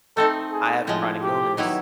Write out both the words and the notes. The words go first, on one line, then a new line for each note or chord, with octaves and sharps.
I have a chronic illness
A3 C4 D#4 A4
G#4
A2 F3 G#3
G4
D#3 F#3 B3 E4